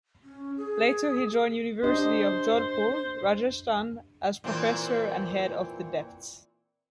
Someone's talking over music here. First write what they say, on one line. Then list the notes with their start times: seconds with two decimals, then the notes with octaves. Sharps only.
Later he joined University of Jodhpur, Rajasthan as Professor and Head of the Deptt.
0.23 C#4
0.57 G#4
1.83 D4 G4 C5 D#5
4.44 A#2 E3 C4